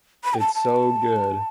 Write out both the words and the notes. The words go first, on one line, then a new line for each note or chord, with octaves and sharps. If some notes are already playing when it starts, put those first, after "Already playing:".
it's so good.
B5
G5
A5
A5